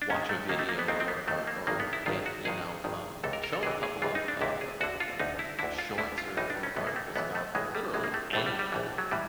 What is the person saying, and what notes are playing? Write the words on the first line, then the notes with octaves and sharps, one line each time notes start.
watch a video or or or get, you know, um, shown a couple of, uh uh, shorts or or articles about literally anything
D4
D#2 D#3 C#4
A3
D#2 D#3 A#3
A3
A#3
B3
D#2 D#3 C4
C4
B3
D#2 D#3 A3
A#3
G#1 G2 D#3 A#3
B3
E4
G#1 G2 D#3 F4
F#4
G#1 G2 D#3 G#4
G#1 G2 D#3
C#2 C3 E3 A4
A#4
A#4
A4
C#2 C3 E3 G#4
G#4
C#2 C3 E3 F4
D#4
D4
C#2 C3 E3 E4
G#4
D2 D3 F#4
F4
D2 D3 D#4
E4
D2 D3 E4
F4
D2 D3 E4
F4
B1 A2 E3 D#4
D4
C#4
B1 A2 E3 B3
A#3
A3
B1 A2 E3 B3
A3
B1 A2 E3 G#3
G3
A#1 A2 E3 G#3
A#3
A3
A#1 A2 E3 A3
G3
G3
A#1 A2 E3
F#3
A2 E3 G3